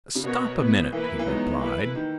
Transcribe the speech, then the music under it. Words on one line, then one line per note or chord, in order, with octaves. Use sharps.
"Stop a minute!" he replied.
C#3
B2 B3 F#4 A#4 C#5
B3 E4 B4
E3 A#3 E4 B4
E3
F#3 G#3 B3 D#4
E3 A#3 E4 B4
D#3